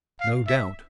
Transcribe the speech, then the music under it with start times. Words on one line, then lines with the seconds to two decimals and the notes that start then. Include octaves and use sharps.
"No doubt."
0.20 F5
0.47 E5